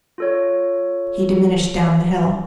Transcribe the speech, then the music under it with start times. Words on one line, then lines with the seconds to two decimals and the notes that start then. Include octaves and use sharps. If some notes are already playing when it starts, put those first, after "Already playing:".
He diminished down the hill.
0.18 F4 A4 C#5